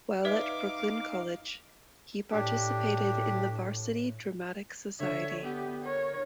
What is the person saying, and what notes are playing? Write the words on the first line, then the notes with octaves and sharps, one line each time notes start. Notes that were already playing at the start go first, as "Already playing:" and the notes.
While at Brooklyn College, he participated in the Varsity Dramatic Society.
D#4 B4 D5 E5 F5 D6
A2 D4 G4
D3 C#5 E5
B3 G4
A#4 C#5